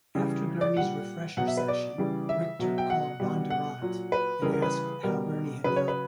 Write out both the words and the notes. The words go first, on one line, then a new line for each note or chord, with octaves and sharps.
After Gurney's refresher session, Richter called Bondurant and asked how Gurney had done.
C#3 E3 G3
D5
A#2 G3 F#5
B2 F#3 F#5
E5
B4
D5
C#3 E3 G3
E5
B2 F#3
G5
F#5
B2 G3
F#5
A#2 F#3
B4
C#3 E3 G3 A#4
A#4
B4
B2 G3 A#4
C#3 F#3 B4
C#5
B4